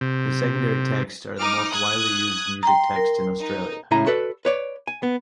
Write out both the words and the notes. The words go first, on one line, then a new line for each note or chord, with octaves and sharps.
His secondary texts are the most widely used music texts in Australia.
C3
D#4 D6 F6
D#6 F#6 G#6
G5 A#5 C6
A#4
D#4
C#2 A2 C#3 E4 G#5 A#5
F#4 A4 B4 D5
B4 C#5 D5
G#5
B3